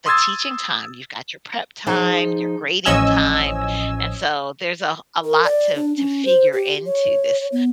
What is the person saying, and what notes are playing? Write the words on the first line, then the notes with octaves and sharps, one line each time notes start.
the teaching time, you've got your prep time, your grading time, and so, there's a a lot to to figure into this,
C6 D#6 E6 G#6 A6
F3 D#4 G#4 A5
A1 F3 C#4 D#5 G#5 E6
A#4
D5
D4
C#4
C5
G4
C#5
B3